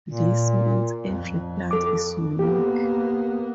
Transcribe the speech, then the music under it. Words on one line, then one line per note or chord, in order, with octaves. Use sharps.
This means every plant is unique.
A#2
F2
A4 D6
A#3 B3 G4